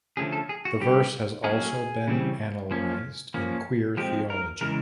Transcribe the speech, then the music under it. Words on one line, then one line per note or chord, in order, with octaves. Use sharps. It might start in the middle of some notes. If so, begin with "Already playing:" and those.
The verse has also been analyzed in queer theology.
D3 F3 A3 C#4 G#4
A4
G#4
F#4
D3 G3 C4 G4
F#3 A#3 C#4 G#4
C#3 E3 G3 C4
F3 A#3 C#4
F3 A#3 C#4
F3 G#3 C4 G4
A#4
C#3 E3 G#3 A#4